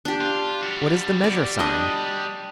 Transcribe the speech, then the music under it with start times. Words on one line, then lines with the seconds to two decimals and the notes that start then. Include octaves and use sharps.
"What is the measure-sign?"
0.05 D4 G4
0.21 F4
0.63 G3 F#4
1.24 D5
1.59 D4 D#5